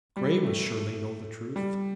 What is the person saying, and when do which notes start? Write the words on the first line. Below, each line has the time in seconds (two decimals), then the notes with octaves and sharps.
Grey must surely know the truth.
0.16 G3
0.44 A3
1.56 G3